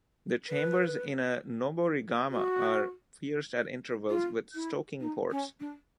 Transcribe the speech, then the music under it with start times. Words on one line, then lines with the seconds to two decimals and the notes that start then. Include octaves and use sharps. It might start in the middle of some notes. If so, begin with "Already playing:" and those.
The chambers in a noborigama are pierced at intervals with stoking ports.
0.49 B4
2.30 F#4
4.10 F4
4.55 E4
5.00 D#4
5.31 C#4
5.60 D4